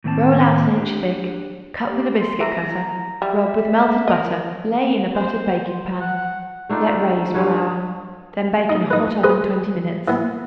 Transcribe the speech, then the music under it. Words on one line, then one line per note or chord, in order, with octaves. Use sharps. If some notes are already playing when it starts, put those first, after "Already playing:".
Roll out an inch thick; cut with a biscuit-cutter; rub with melted butter; lay in a buttered baking-pan; let raise one hour; then bake in a hot oven twenty minutes.
A2 D#3 A#3 C4 D#5 A5
D4 G4
G4
C6
E3 A#5
G3 E5
A#4 D#5
C5
F#5
A3 D4 D#4 F4
G2 F3 C#4 B4
D#4
D#4 B4
G#4 B4 C5
E3 B3